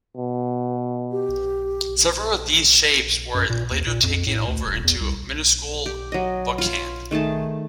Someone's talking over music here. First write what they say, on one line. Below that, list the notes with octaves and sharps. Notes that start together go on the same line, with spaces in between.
Several of these shapes were later taken over into minuscule book hand.
B2
G4
F#2
A#2
D#2
A#2
F2
A2
D2
D#1
E2
C2
G4
F#3 D#5
F4 C#5
D#3 A3 G#4 A5